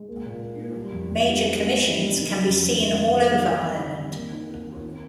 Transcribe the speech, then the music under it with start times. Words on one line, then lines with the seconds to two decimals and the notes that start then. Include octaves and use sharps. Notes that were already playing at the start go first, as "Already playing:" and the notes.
Major commissions can be seen all over Ireland.
Already playing: G#3
0.08 A#3
0.26 A#2
0.41 A#3
0.58 A#3
0.76 G3
0.92 F2
1.10 F2
1.27 G3
1.44 C#4
1.60 C#4
1.78 G3
1.95 A#3
2.12 C#3
2.29 C#3
2.46 F2
2.62 F2
2.79 D#3
2.97 A#3
3.13 G3
3.30 D#3
3.47 C4
3.65 G3
3.82 G3
3.99 C4
4.15 A#3
4.32 D#4
4.50 A#3
4.67 D#3
4.83 C4